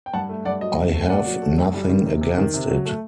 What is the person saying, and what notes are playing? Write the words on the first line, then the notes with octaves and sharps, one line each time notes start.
I have nothing against it.
G5
G2 F#5 A5
A3
G2 D5 F#5
F#3 D#5
C3
A3
A#2 D5 F#5
F#3
A3
F#2
G3
D#3
C3
C3
D#3
C3
F#3
A3